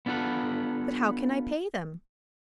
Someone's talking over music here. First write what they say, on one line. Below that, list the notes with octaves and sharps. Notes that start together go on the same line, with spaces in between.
"But how can I pay them?"
B3 D4 F4 A4 B4